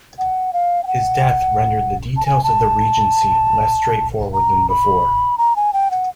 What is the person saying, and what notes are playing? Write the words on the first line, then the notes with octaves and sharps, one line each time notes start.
His death rendered the details of the Regency less straightforward than before.
F#5
F5
G5
F#5
A5
G#5
A5
A#5
B5
A#5
G#5
G5
F#5